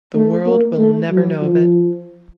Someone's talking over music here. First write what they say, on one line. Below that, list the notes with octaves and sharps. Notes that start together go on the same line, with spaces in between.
The world will never know of it.
A3
A#3
A3
F#3
F3